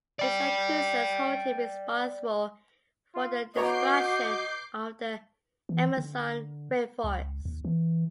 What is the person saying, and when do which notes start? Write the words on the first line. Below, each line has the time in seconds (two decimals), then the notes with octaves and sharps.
His accusers hold him responsible for the destruction of the Amazon rainforest.
0.19 D5 G5
3.15 F4
3.56 B3 F#4 C#5 D#5 A#5 D6 G6 C7
5.69 E3
5.97 D3
7.04 C#2
7.45 D#2
7.65 E3